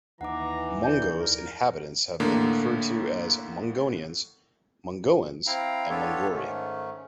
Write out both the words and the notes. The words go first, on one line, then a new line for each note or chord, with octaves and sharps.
Mongo's inhabitants have been referred to as "Mongonians", "Mongoans", and "Mongori".
D#2 E3 D#4 F#5 A#5 D6
E4 D5 G6
A#4
A2 D3 A#3
C4 E4 F5 G5 A#5
B3 D4 F4 G4 A4 C#5
G#2 D#3 A3 C#4